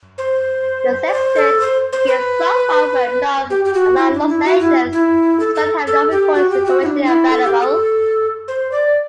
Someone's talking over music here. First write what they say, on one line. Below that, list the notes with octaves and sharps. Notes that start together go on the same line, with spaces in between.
The Sextet became somewhat well-known around Los Angeles, despite having no recordings commercially available.
C5
D5
C5
A4
C5
C5
B4
G4
G4
F#4
E4
D4
E4
F#4
E4
E4
A4
A4
A4
G4
F#4
G4
F#4
E4
D4
E4
A4
G4
A4
C5
D5